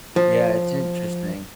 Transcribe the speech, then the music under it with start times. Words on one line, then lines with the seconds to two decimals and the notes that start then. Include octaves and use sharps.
Yeah, it's interesting.
0.16 F3